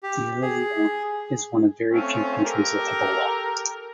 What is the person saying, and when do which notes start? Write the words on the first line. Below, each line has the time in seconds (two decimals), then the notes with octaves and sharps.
Sierra Leone is one of very few countries with ebola.
0.03 G4
0.42 G#4
1.91 A3 C4 C#4 F4
2.44 G4 A4 A#4